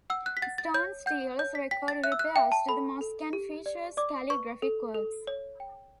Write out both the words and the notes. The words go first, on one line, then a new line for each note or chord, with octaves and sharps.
Stone steles record repairs to the mosque and feature calligraphic works.
F#5 E6
F#6
B6
F#5 A6
A6
C#5 G6
F#5 G6
C#5 G6
B6
G5 B6
A6
E5 F#6
E6
F#6
E5 G5
A5
A4 B5
A4
G4
D5
D5 D6
B4 C#6
A4
A4
C#5
G5